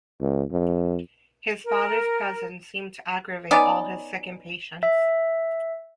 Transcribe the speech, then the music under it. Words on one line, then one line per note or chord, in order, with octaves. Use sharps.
His father’s presence seemed to aggravate all his sick impatience.
C#2
F2
A#4
B3 C#4 D#4 D5
E5